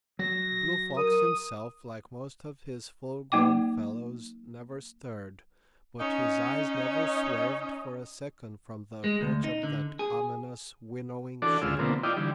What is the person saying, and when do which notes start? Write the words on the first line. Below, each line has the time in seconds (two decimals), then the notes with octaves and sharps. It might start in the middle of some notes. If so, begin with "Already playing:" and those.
Blue Fox himself, like most of his full-grown fellows, never stirred. But his eyes never swerved for a second from the approach of that ominous, winnowing shape.
0.19 F#3 A#6
0.97 A#4 D#6
3.32 F#3 A#3 D#4 G5 D6
6.00 C#4 D#4 C#5 D#5
9.04 G#3
9.21 D2
9.44 D#4
9.63 D3
9.99 G#4
11.42 E3 D4 F#4 A4 D5
11.62 D2 C#3 G#3 F4 E6
11.79 B2 D3 F3 A#3 C4
12.03 E4 F4 D5 D#5 G5
12.17 D3 E3 G3